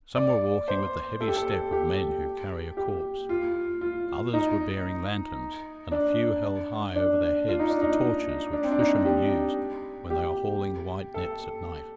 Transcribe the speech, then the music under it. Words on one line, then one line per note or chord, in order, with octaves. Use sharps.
Some were walking with the heavy step of men who carry a corpse. Others were bearing lanterns, and a few held high over their heads the torches which fishermen use when they are hauling the white nets at night.
D5
C5
A4
G4
A4
G4
G4
F4
F4
D#4
D4
D4
F4
D#4
D4
D#4
D4
C4
D4
D#4
G4
G4
A4